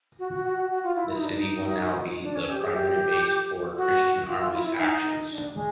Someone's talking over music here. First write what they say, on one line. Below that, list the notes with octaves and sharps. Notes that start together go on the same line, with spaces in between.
The city will now be the primary base for christian armies' actions.
F#4
F#4
F#4
F#4
F#4
F4
E4
E4
D#4
D4
D#4
D4
C#4
G4
G#4
G4
F#4
F4
F4
E4
E4
D#4
D4
G#3